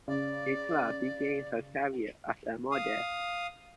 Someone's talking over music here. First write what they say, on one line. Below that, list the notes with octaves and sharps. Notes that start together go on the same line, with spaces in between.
Mitra began her career as a model.
C#3 D5
F5 D#6